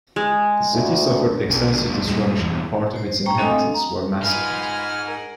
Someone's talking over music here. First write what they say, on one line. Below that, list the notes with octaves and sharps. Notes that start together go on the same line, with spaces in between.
The city suffered extensive destruction and part of its inhabitants were massacred.
G#3
D2
B1 D3
G1 D2
G2 A#2 G3 G#3
E2 G2
C5
A3 G5 A#5 C#6
C4 D4 A4 D#5 G#5 D#6
F5
A#5
D#4 F4 G#4 B4 F#5 G#5 F6
A#4